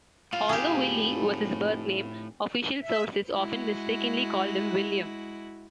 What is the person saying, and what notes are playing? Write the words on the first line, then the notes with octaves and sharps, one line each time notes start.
Although Willie was his birth name, official sources often mistakenly called him William.
A2 F4 F5
F1 G4 G#4
E5
G#3 E4 F#4